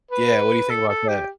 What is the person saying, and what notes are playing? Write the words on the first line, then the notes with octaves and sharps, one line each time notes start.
Yeah, what do you think about that?
B4
A4
A4
G4